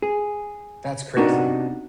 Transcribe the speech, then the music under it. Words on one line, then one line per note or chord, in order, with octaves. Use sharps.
That's crazy.
G#4
C3 B3 D4 D#4 F#4